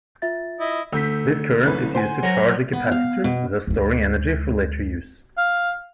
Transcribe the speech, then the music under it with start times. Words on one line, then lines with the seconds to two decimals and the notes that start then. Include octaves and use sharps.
This current is used to charge a capacitor, thus storing energy for later use.
0.22 F4 E5 A6
0.60 E4 D#5
0.93 D2 E6 G6 B6
1.65 F#1 C2 B4
1.95 C5 F#5 G#5
2.23 F#3 A#4
2.73 B3
2.91 F5
3.24 B2
3.67 D2 G#3
5.37 F5